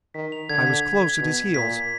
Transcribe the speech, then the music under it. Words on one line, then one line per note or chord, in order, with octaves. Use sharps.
I was close at his heels.
D#3 B6
F7
D3 G#6
B6
G#6
G#6
B2 G#6
B6
A#2 B6
B6